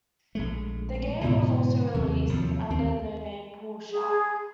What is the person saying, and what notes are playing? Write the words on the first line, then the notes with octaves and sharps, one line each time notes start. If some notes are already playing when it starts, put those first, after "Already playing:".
The game was also released under the name "Pool Shark".
A#1 G#3 A3
G#2 B2 D3 E3
D#2 C3 F#3
D#2 C3 F3 F#3
D#2 C4
G#4